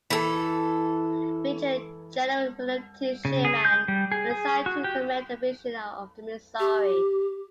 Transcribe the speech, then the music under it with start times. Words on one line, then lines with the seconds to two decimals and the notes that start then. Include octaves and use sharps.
Major General William T. Sherman was assigned to command the Division of the Missouri.
0.10 E3 A4
3.25 C#3
3.45 G#4
3.65 G6
3.88 G3
4.12 G#4
4.31 G#4
4.66 F#4
4.84 G4
6.60 G4